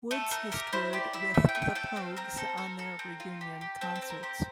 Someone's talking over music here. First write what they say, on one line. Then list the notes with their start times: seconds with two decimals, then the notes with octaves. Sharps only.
Woods has toured with The Pogues on their reunion concerts.
0.11 A3 A4
0.31 A3 A#4
0.52 G4 A#4
0.73 E4 C5
0.93 G4 D5
1.13 E4 E5
1.34 A3 E5
1.49 G5
1.55 A3
1.62 G5
1.75 A4 G5
1.96 C4 F5
2.17 C4 A#4
2.37 A4 C5
2.58 A4 A#4
2.79 A4
2.99 C4
3.20 F4
3.41 G4
3.61 G4
3.81 C4 A4
3.95 A4
4.02 C4
4.10 A#4
4.23 G4 C5